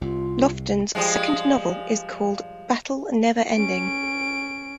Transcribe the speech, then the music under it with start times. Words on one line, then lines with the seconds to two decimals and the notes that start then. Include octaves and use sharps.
Lofton's second novel is called "Battle Neverending".
0.01 C2 C3 F4
0.95 F3 G3 G#3
3.53 C#4 D7